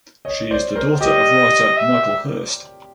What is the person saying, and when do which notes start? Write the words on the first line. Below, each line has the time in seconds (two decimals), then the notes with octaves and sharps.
She is the daughter of writer Michael Hirst.
0.25 C#5 D#5
0.51 C5 D5
0.76 A#4 C5
1.01 G4 D#5
1.77 E5